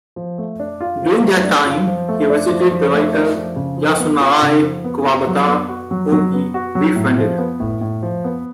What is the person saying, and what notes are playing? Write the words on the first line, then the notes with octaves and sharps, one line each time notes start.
During that time, he visited the writer Yasunari Kawabata, whom he befriended.
F3
A3
D4
F4
F3
A3
D4
F4
F3
A3
D4
F3
F3
A3
D4
F3
C#3
F3
B3
F4
C#3
F3
B3
F4
F#3
B3
F#4
F#3
F#3
B3
F#4
F#3
A2
F3
B3
A2
A2
F3
B3